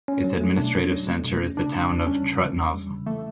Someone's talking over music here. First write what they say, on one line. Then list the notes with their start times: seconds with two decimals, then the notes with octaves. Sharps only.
Its administrative center is the town of Trutnov.
0.08 C#4
0.24 F#3
0.41 A3
0.57 B2 D4
0.75 C#4
0.91 F#3
1.07 A3
1.24 B2
1.40 C#4
1.57 C#3 D4
1.74 E3
1.82 D4
1.90 E2
2.06 G3 C#4
2.23 C#3
2.41 E3
2.56 E2
2.74 G3
2.90 C#3
3.06 E3 A3